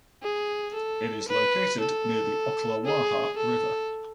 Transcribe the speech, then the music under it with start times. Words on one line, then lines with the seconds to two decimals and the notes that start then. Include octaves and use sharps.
It is located near the Ocklawaha River.
0.23 G#4
0.75 A4
1.28 B4
1.81 A4
2.85 G#4
3.38 A4